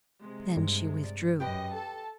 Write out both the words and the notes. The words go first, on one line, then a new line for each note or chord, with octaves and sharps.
Then she withdrew.
C3 G#3
G2
D5
F#2 G4 B4 D#5 G5
A4 A5